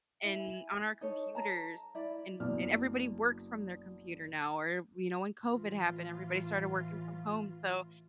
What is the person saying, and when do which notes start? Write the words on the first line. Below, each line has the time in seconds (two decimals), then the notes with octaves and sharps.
and on our computers, and and everybody works from their computer now, or you know, when COVID happened, everybody started working from home, so,
0.24 E4 G#5
1.01 D#4 A4 C#5
1.35 A5 A#5
1.95 E4 D5
2.40 F#1 B2 F#3 D4 D5 F6
5.40 A2 E3 F4